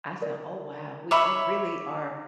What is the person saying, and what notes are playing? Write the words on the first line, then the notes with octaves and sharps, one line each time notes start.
I said, "Oh, wow. We we really are"
A#4 D5
C#5 E5 B5 D6